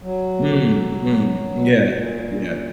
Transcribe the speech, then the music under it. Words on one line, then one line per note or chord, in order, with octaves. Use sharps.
Mm. Mm. Yeah. Yeah.
F#3
A#2